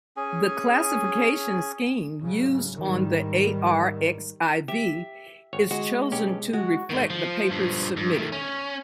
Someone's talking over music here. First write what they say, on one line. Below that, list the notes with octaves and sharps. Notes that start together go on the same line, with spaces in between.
The classification scheme used on the arXiv is chosen to reflect the papers submitted.
C#4 G#4 G#5
G#2 C#3 F#3
G#2 D#3 G3
G4 E5
G#1 C#5
G#3 F#4
B1 C#4 G4
G#3 F#4
D#3 G#3
F3
G2 F3
G2
D#3 A3
C#4